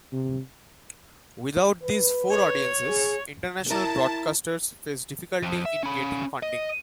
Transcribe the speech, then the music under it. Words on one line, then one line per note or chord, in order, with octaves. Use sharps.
Without these four audiences, international broadcasters face difficulty in getting funding.
C3
B4
C#5
G#4
E4 A#4 D#5 A5
F2
E5
C#4 B5
D#5